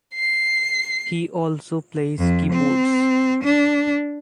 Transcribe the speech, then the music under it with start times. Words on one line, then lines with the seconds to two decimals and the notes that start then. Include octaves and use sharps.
He also plays keyboards.
0.14 C7
2.19 F2
2.53 C4
3.43 D4